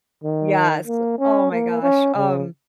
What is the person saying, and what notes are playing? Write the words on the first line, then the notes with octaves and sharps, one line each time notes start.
Yes, oh my gosh. Um, mm
D#3
A#3
C#4
A#3
C#4
C#3